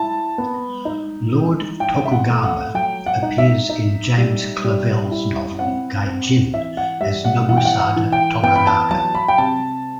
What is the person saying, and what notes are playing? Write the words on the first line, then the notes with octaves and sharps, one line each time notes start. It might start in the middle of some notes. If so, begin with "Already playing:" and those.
Lord Tokugawa appears in James Clavell's novel "Gai-Jin" as Nobusada Toranaga.
Already playing: E4 A5
B3
D#4
E3
E3 G5
E5
F#5
A3
F#5
F#3 G5
F#5
D#4
E5
D#4
G3
G3
E4
C4 F#5
C4
E3 E5
F#5
G3 E5
F#5
E3 F#5
G5
F#5
F#5
E3
G5
B3 G5
B5
A5
F#3 A5
B5
G5
C3 A5